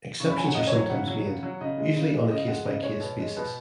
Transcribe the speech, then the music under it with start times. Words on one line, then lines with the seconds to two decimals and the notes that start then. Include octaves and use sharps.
Exceptions are sometimes made, usually on a case-by-case basis.
0.20 C#3 C#6
0.29 B5
0.37 F#3 G#5
0.46 F#5
0.54 C#3 D#5
0.67 C#5
0.73 F#3
0.78 C#5
0.90 C#3 F#5
1.07 F#3
1.25 C#3
1.43 F#3
1.61 C#3 D#5
1.78 G#3
1.96 C#3
2.14 G#3
2.31 C#3 D#5
2.48 G#3 F#5
2.65 C#3 D#5
2.83 G#3 C#5
3.00 B2
3.19 G#3
3.36 B2 B4